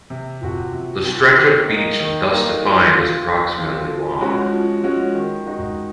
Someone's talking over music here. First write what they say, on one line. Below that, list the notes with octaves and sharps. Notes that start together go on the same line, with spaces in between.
The stretch of beach thus defined is approximately long.
C3
F3 C4 F#4
C3
F3 C4 F#4
D#3
A#3 D#4
D#3
A#3 D#4
F3
C4 F4
F3
C4 F4
F3
G#3 C#4 F#4
F3
G#3 C#4 F#4
D#3
G#3 D#4 F#4